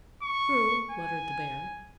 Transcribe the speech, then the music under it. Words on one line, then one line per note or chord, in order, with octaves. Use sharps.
"True," muttered the Bear.
C#6
G#5